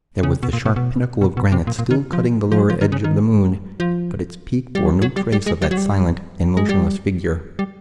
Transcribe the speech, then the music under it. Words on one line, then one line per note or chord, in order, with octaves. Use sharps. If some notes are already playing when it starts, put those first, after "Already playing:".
There was the sharp pinnacle of granite still cutting the lower edge of the moon, but its peak bore no trace of that silent and motionless figure.
C#3
C3
B2
A#2
B2
B2
B2
B2
C3
A#2
A#2
D#3
F3
F3
F#3
F3
D#3
C#3
D#3
F3
G3
F#3
F#3
G3
G3
G#3
G3
F#3
G3
G#3
G3
G3